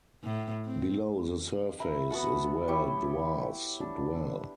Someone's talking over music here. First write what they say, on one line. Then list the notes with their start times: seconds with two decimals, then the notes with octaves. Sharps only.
Below the surface is where dwarves dwell.
0.24 A2
0.65 C4
1.80 E5 A#5 B5
2.10 B3 F#4 A4 F#5
2.68 E4 G4 C#5
3.81 D4